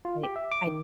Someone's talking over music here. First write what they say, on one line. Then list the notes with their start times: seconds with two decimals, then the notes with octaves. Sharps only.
I I
0.05 F4
0.23 G4
0.36 E5
0.52 D6
0.67 D#3